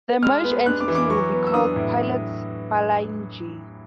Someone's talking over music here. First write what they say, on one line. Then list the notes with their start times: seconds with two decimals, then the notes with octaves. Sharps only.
The merged entity will be called Pilot Flying J.
0.22 G#3 F6
0.44 B3
0.66 D4 F#6
0.81 D6
0.88 E3
0.95 D6
1.10 F#3 C#6
1.32 B3
1.47 E6
1.54 D4 D#6
1.76 A2